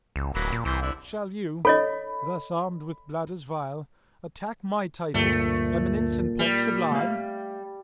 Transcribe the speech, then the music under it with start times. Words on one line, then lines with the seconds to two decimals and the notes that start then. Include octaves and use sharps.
Shall you, thus armed with bladders vile, attack my title, eminence, and pomp sublime?
0.16 C#2
0.35 D1 F#3 A#3 B4
0.53 A#2
0.65 C2 E3 C5
0.82 D3 E4
1.65 A4 C#5 D#5 B5
5.14 D2 G2 A#2 A3
6.39 G3
6.92 A3 F5